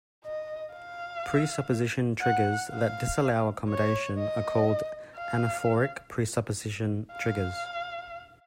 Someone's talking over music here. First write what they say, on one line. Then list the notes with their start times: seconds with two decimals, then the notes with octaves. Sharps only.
Presupposition triggers that disallow accommodation are called anaphoric presupposition triggers.
0.25 D#5
0.74 F5
2.21 F#5
2.70 F5
3.68 C#5
4.18 D#5
5.16 F5
7.12 F5